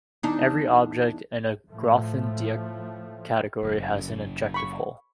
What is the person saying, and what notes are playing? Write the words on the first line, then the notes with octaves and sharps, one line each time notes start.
Every object in a Grothendieck category has an injective hull.
E2 D4 D#4
A2 F3 A3
F#1
B5 C#6